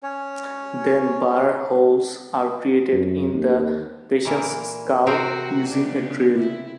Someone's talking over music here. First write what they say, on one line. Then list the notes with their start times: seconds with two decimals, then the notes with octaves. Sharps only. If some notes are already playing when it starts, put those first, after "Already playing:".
Then burr holes are created in the patient's skull using a drill.
0.03 C#4 C#5
2.92 F#2
3.34 D#2
4.25 A#2 E3 A#4
5.07 C3 C4 F#4 A#4
5.68 C#3 B3 D4
6.39 E4